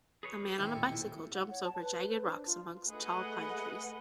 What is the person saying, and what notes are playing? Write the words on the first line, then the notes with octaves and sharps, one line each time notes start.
A man on a bicycle jumps over jagged rocks amongst tall pine trees.
G#4 B4 C#5
A2 D#3 C4 D#4 E4 G4
E2 A#2 A4
E2 E4 G5
F#5
C#5
A5
B4
C5
D4
F4
A3 G#4 B4 D#5 F#5